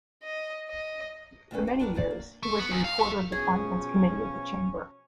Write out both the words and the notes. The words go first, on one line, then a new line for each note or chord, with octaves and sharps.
For many years he was the reporter of the finance committee of the chamber.
D#5
D#5
D2 G3 A3 C#4 B4
F#4 G4
D4 F#4 G4 A#4 B4
A#2 F#4 C5 D5
A#3
A3
B3
E2
F5
A3
B2 F3 F#3 C#4 G#4